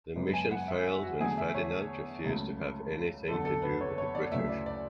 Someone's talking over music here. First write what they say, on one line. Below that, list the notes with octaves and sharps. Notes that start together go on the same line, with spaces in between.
The mission failed when Ferdinand refused to have anything to do with the British.
F#2 C#3 G#3 B3
G#5
F#5
E5
E5
F#4
E2 D3 A3 G#4
E5
C#5
C#2 C#3 F#3 A3
F#1 E2 D3 A4
A4
B4
C#5
C#5
D5
D2 C#3 E3 A3 E5
D5
D5